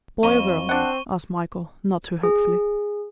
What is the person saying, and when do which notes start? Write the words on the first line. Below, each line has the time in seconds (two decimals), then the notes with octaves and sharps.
"Boy or girl?" asked Michael, not too hopefully.
0.23 F2 C#6 D#7 G7
0.69 C4 D4 F#5
2.23 G#4